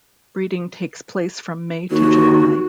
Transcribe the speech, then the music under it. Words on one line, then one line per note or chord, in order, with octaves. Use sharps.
Breeding takes place from May to July.
D#2 F#4